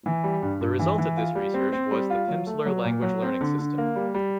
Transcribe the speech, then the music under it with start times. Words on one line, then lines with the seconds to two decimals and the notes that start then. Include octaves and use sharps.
The result of this research was the Pimsleur language learning system.
0.06 E3
0.24 G3
0.42 G2
0.61 G2
0.79 E3
0.98 E3
1.17 F4
1.35 G3
1.54 C4
1.73 C4
1.91 G3
2.10 F4
2.28 F#3
2.47 A3
2.66 F#3
2.84 A#2
3.02 F#3
3.22 C4
3.41 D3
3.59 D3
3.78 A#3
3.96 G3
4.14 G3